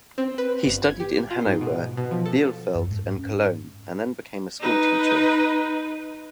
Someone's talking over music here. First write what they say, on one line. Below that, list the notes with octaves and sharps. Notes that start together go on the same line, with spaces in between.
He studied in Hanover, Bielefeld and Cologne, and then became a schoolteacher.
C4
B4
G1
G#6
G4
F4
G#2
B2
B2
F3
A4
F#2
G#2
C#4
D#4 B4